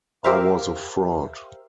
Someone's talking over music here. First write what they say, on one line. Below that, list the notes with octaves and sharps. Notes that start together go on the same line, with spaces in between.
I was a fraud.
G4 A#4 C5 E5 F5